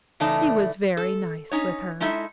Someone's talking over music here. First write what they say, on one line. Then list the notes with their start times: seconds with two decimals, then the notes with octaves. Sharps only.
He was very nice with her.
0.20 C#3 E3 A3 D#4 D5 A5
0.97 A4
1.51 C#4 D#4 C#5
2.00 G#3 D#4 E4 A4 E5